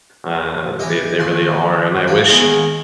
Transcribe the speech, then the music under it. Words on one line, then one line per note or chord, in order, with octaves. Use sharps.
uh, they they really are, and I wish
E3 G4 D#5
D#2 C6
E3 F3
D#2 G#3 B3 G#4 F5 G#5